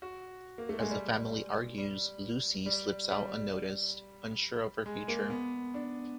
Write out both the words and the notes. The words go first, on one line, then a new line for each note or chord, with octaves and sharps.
As the family argues, Lucy slips out unnoticed, unsure of her future.
F#4
A#3
A3
G#3
G3
G3
G3
G3
G#3
A#3
B3
D4